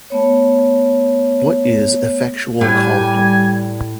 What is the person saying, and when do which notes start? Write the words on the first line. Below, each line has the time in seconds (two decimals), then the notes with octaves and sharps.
What is effectual calling?
0.10 A3 B3 C#5
2.61 A2 G3 G#5